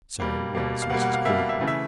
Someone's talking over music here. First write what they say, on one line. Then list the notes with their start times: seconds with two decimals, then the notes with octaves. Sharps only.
So was Mrs. Caudle.
0.20 B2 G3 A#3
0.55 B2 G3 A#3
0.82 F5
0.90 B2 G3 A#3 F#5
1.02 F#5
1.13 F5
1.25 B2 G3 A#3 E5
1.37 F5
1.49 E5
1.61 C#3 E3 A3
1.67 E5